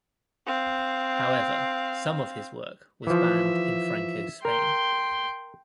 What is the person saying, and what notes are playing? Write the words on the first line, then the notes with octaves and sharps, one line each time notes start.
However, some of his work was banned in Franco's Spain.
C4 F5
E3 F3 E5
A#4 G5 C6